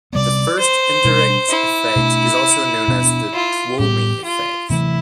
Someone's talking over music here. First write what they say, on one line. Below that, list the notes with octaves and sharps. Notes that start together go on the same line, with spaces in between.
The first indirect effect is also known as the Twomey effect.
C3 G3 B3 D5
C5
B2 G3 D4
E4
B2 A3 D4
B2 B3 D4
F4
A2 G3 B3 G4
F4
C3 E3 A3 E4